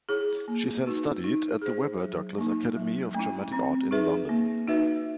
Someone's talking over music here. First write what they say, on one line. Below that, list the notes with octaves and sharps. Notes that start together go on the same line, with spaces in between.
She then studied at the Webber Douglas Academy of Dramatic Art in London.
E4 G#4 C#5
A#3
D#4 F#4 B4
D#4
G#4 C5
F#3
A#3 D#4
F#3
A3 C#4 E4
C4
D#4 G#4 B4 E5
A#3
D#4 F#4 B4 E5